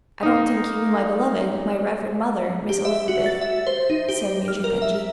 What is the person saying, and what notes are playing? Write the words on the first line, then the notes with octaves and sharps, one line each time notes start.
"I don't think you knew my beloved, my revered mother, Miss Elizabeth," said Major Benjy.
A#3 D#4
G4
E5
F#4
A6
E5
C5
D#4
G4
F6
A#4
E5